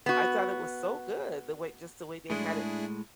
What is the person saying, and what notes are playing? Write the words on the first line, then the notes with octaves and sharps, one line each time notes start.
I thought it was so good, the way just the way they had it
B3 F#4
A2 G#3 D4 E4 G#4